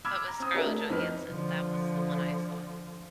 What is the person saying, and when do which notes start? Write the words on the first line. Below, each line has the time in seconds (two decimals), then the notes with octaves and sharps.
But was Scarlett Johansson, that was the one I saw
0.05 B5 D6 E6 F6 G#6
0.28 A#5
0.40 C4 D#6
0.54 D4 F#4 G#4 A#4 B4 E5
0.66 A3
0.89 F2 D#4 B4 F6
1.29 D3 F3